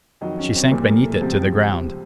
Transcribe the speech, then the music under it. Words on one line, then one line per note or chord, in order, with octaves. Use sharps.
She sank beneath it, to the ground.
F2 D#3 F#3 D#4
C#4
C4
C2 A#2 F3 A#3
A#3
A3
C#2 C3 F3 C4